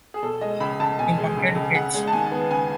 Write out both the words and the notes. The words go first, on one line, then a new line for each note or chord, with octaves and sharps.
They wanted hits.
G#4
B2 A4
G#3 D#5
C#2 B5
C#2 A5
B2 G#5
G#3
C#2
C#2
C#3 F#5
G#3
A5
D#2 G#5
B3
C#3 G#5